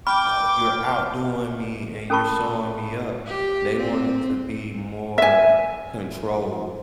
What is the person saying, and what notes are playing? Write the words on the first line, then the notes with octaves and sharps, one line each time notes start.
uh, you're outdoing me and you're showing me up." They want it to be more controlled.
G5 B5 D6 F6
C#4 A4 A#4 A5 B5 C#6
G4
C4
E5 G#5